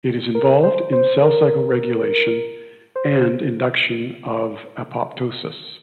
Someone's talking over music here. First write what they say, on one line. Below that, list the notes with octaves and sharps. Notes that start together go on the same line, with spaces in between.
It is involved in cell cycle regulation, and induction of apoptosis.
A#4
C5
C5
A#4
C5